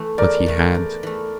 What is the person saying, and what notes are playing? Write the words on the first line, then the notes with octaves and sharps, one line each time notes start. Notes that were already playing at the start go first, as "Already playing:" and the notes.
But he had.
Already playing: E3 A3
E2 A#4 D5
E3 A3
E2
E3 A3